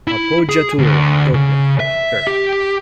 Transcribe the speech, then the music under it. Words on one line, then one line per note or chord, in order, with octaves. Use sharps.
"Appoggiatura doppia"; Ger.
E4
G#4
D2
C#3
E5
G4